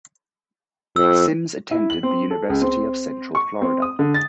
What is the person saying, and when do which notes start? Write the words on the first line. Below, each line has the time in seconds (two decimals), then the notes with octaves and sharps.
Sims attended the University of Central Florida.
0.96 F2 E6
1.71 E4
1.90 F#7
2.03 C4
2.31 A4
2.50 C#2
2.61 C4
3.35 C#6
3.62 C4
3.82 D#6
3.99 D3
4.14 A6